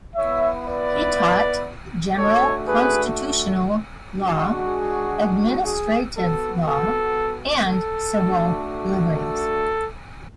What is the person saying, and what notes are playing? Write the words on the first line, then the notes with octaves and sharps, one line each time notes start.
He taught general constitutional law, administrative law and civil liberties.
B3 E4 C#5 E5
B4 D5
A3 D4 F#4 A4 C#5
G#4 B4
G#3 D4 F#4
G#4
G#4
B3 F#4 A4
A4
A4
A3 D4 F#4
A4